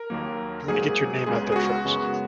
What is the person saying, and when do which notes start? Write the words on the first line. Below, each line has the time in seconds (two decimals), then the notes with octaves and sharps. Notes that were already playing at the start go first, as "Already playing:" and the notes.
You wanna get your name out there first
Already playing: A#4
0.10 D#2 D#3 F#3 A#3
0.68 G#2 F#3 A#3 G#4
1.26 C#2 C#3 G#3 B3 G#4
1.52 G#4
1.56 F#4
1.85 F#2 C#3 G#3 B3